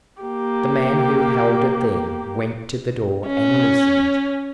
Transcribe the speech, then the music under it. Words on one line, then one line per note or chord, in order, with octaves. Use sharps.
The man who held it then went to the door and listened.
A#3 G4
C#4